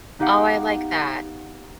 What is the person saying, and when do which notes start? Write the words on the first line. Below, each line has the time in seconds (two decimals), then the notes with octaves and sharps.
Oh, I like that.
0.19 B3 D#4 G4 F5 F#5 D7